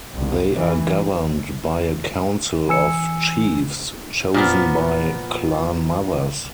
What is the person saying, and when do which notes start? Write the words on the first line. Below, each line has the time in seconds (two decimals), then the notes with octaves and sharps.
They are governed by a council of chiefs, chosen by clanmothers.
0.13 C2
0.53 E3
2.68 E3 G#5 E6 C#7
4.34 A#2 F3 B3